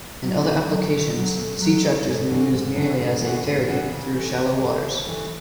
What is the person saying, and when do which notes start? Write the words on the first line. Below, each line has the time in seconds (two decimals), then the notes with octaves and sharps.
In other applications, sea tractors were used merely as a ferry through shallow waters.
0.22 F#3
0.45 A3 C#4
0.68 F#3
0.91 A3 C#4
1.14 F#3
1.37 A3 C#4
1.60 F#3
1.84 A3 C#4
2.06 G#2
2.29 E3 A3 D4 F#4
2.53 G#2
2.75 E3 A3 D4 F#4
2.98 G#2
3.22 E3 A3 D4 F#4
3.45 G#2
3.67 E3 A3 D4 F#4
3.91 C#3
4.13 E3 A3
4.37 C#3
4.59 E3 A3
4.82 C#3
5.05 E3 A3